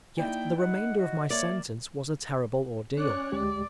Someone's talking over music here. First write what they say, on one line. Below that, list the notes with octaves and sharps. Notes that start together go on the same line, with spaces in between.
Yet the remainder of my sentence was a terrible ordeal.
A#3 D#4 E4 D5 G5
D#5 F#5
F#4
A#3 C#5 D5 E5
C#4 C#5 D5 F#6
D2 G#3 G4 D5